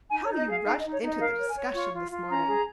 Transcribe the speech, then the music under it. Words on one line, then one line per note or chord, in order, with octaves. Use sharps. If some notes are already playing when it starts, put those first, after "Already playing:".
How you rushed into the discussion this morning!
D#4 G#5
C#5
D#4
D#5
G#4 F5
D#4 F5
D#5
D#4
C#5
D#4
D#5
A#4 F5
C#5
G#5
C#5
F4 C#6
F4
F4
C#4 A#5
G#4